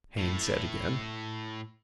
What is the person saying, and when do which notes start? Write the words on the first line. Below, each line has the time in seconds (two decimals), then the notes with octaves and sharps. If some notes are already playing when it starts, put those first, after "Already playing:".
Haines said again.
0.18 A2 E4